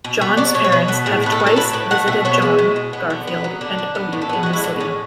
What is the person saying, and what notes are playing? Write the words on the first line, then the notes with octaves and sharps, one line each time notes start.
Jon's parents have twice visited Jon, Garfield, and Odie in the city.
B2
B3 C#5
F#3 D5
B2 C#5
C#5
B2 B4
B3 A4
A2 G#4
A3 B4
A4
F#3
A4
A2 B4
A2 B4
A3 F#5
B2 E5
B3 C#5
G#3 E4
B2
B2
B3
D3
B3
F#3
D3 D4
D3
B3
A2
A4
B3 G#4
G#3 F#4
E4
A2 D4
A2 C#4